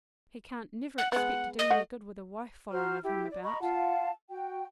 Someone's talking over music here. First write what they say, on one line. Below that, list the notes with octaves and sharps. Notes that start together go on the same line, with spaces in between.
He can't never expect to do any good with a wife follerin' of him about.
F#5
G#3 B3 F#5
D#5
A3 F#5
F#4 C5 A#5 F6
E4 G4
D5
D#5 A#5 B5 C#6
F4 F5 F#5 A5
F#4 G5